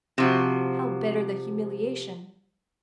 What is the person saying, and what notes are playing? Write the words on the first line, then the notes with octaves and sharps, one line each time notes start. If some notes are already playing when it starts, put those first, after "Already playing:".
How bitter the humiliation!
C3 F3 F#4